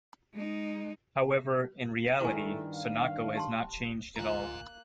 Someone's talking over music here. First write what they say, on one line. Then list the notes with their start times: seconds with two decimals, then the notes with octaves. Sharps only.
However, in reality Sunako has not changed at all.
0.34 G#3 D#4
2.21 G2 D#3 A3 E4 G#4 G#5
2.74 F5
3.35 G4 A5 C6
4.16 E1 A1 D2 A#3 F4 G#5 A#5 F#6